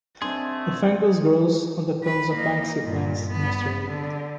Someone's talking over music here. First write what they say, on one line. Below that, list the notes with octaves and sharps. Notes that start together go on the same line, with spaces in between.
The fungus grows on the cones of "Banksia" plants in Australia.
D3 D#3 A3 C4 D4 G#4 C6
B4
A#3 D#4
G2 A#2
G2 B3
D3